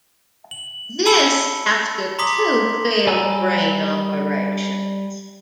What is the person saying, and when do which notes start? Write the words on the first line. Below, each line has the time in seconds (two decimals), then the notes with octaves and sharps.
This after two failed brain operations.
0.51 F#7
1.06 G#5 A5 B5 E6 C#7 G7
2.19 A#5 C6 D6 D#6 B6 F#7
3.07 G3 D5 G#5 A#5 E6